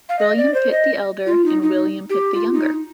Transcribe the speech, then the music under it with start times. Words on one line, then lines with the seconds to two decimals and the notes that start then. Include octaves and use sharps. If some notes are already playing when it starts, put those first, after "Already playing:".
William Pitt the Elder and William Pitt the Younger.
0.09 F5
0.19 D#5
0.37 D5
0.54 C5
0.72 D#5
1.26 F4
1.45 D#4
1.62 D#4
2.10 G4
2.34 F4
2.53 D#4